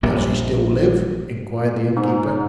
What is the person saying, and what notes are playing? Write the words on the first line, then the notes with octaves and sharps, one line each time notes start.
"Does he still live?" inquired the innkeeper.
A#1 C3 G3 A#3
G#2